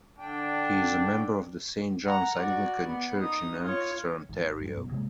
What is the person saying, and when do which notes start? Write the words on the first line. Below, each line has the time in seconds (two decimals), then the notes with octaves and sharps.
He is a member of the Saint John's Anglican church in Ancaster, Ontario.
0.19 D3 D4 G5
2.04 F#5 A#5
2.35 F#4 D5
2.86 B3
3.21 D#4 D#6
3.62 F4 C#5
4.29 G#1
4.61 G2 F#3
4.74 G1 F#2 B2
4.91 C3 F3 G#3 A#3